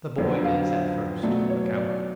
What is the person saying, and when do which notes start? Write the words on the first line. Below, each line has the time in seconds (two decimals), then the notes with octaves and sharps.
The boy is at first a coward.
0.18 F2 D3 F#3 B3 D5
0.44 F5
0.70 F5
1.23 B2 F#3 A3 D5
1.50 C#5
1.76 D5